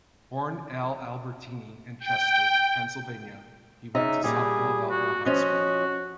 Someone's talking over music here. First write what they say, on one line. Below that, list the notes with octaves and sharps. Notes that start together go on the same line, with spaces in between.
Born Al Albertini in Chester, Pennsylvania, he went to South Philadelphia High School.
G5
C#3 D#4 E5
A#2 G3 G#4
F#4
F3 C#4 F#4 D#5